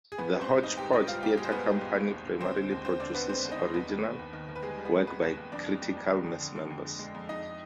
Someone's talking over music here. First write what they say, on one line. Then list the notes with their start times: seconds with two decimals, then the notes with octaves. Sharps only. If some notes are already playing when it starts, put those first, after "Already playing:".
The Hodge-Podge Theatre Company primarily produces original work by Critical Mass members.
0.12 G#4
0.18 G#1 B3 B4
0.33 G3
0.41 C4 C5
0.48 G#1
0.63 G#2 D#4 D#5
0.77 G#2 G4 G5
0.93 G3 D#4 D#5
1.07 G3 F4 F5
1.23 G#2 G3 G4
1.37 G3 G#3 G#4
1.45 C5
1.52 G#1 B3 B4
1.66 G3
1.81 G#1
1.96 G#3
2.11 D#2
2.26 D3
2.40 D3 C4 C5
2.56 G#3
2.71 D#2
2.85 D#2 C4 C5
3.00 D3 D4 D5
3.14 D3 B3 B4
3.29 G#3 C4 C5
3.45 D#2
3.51 D#4 D#5
3.59 D#2
3.74 D#2 B3 B4
3.89 D#3
4.04 D#2
4.19 D#2
4.33 D#3
4.49 D#3
4.56 B4
4.63 G3 G#3 G#4
4.78 G3
4.85 B3 B4
4.93 D#2
5.07 G3 B3 B4
5.22 D#2
5.37 D#2
5.52 F2 D4 D5
5.67 G#3
5.82 F2
5.97 F2
6.10 D3
6.26 F2
6.41 D3
6.56 D3
6.70 F2
6.85 G#3
6.99 G#3
7.15 F2
7.29 F2 D#4 D#5